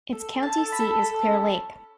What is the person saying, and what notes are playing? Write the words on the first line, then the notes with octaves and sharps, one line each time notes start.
Its county seat is Clear Lake.
A4
A4
A5
A4
B5
A4
A4
C#4